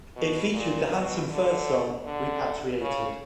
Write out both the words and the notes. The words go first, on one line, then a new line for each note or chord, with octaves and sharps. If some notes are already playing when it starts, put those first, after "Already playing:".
It featured the Handsome Furs song Repatriated.
B2
A#2
B2
D3
D3
C#3